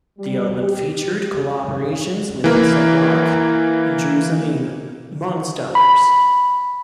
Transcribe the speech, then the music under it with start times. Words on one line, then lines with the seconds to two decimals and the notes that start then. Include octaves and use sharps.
The album featured collaborations with Aesop Rock and Juice Aleem, amongst others.
0.18 G3
0.62 G4
2.44 E3 A#3
5.75 B5